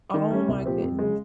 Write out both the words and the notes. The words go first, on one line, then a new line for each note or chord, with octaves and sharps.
Oh my goodness.
D#3
G3 C#4
C2
A#2 F3 C4 G4
F2
C#3 G#3